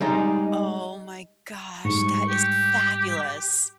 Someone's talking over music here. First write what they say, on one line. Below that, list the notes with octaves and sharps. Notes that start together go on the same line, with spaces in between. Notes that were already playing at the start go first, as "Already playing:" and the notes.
Oh my gosh, that is fabulous!
G3 G#3 D#4
G#2 G3 C#6
G4